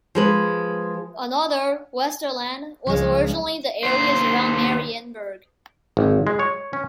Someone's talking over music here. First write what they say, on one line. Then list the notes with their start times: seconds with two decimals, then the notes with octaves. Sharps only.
Another, Westerland, was originally the areas around Marienburg.
0.15 F3 G#3 B4
2.87 C#2 F3 G#3 C#4
3.83 D#2 C5
5.97 G#1
6.27 G#3
6.39 C#5
6.73 C#4